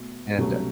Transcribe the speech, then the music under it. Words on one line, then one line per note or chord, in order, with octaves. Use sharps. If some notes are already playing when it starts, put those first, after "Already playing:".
and, uh
Already playing: B2 A3
C2 B2 F#3 A3 C#4